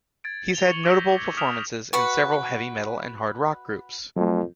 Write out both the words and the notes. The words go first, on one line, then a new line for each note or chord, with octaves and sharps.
He's had notable performances in several heavy metal and hard rock groups.
G#6 A6 D7
F7 G7
C#6 C#7 F7 F#7
D6 E6 G6 A#6 B6
G#6 A6
D#6 F6 B6 D7 E7 F7
F#4 B4 F#5
F2 F#3 A3